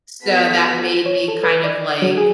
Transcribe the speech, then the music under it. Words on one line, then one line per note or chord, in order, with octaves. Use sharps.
So, that made me, kind of, like,
B3 F#4 A4 B6
C#5
A4
B4
D5
F#3
G#4